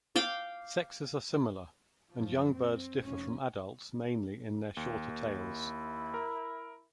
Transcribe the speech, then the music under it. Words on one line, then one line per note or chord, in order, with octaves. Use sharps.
Sexes are similar, and young birds differ from adults mainly in their shorter tails.
F5 G5 D6
F#2 F3
C4
F1 C#4
D#2
D#2
E4
A#4